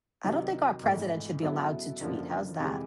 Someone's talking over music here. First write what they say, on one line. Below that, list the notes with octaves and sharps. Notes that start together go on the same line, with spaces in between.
I don't think our president should be allowed to tweet. How's that?
C2 C3 D#3 F#3
G#1 G#2 E3 A3
C#3 F#3 B3 E4 A4
F#1 F#2 D3 F3 A#3
F2 C3 E3 G#3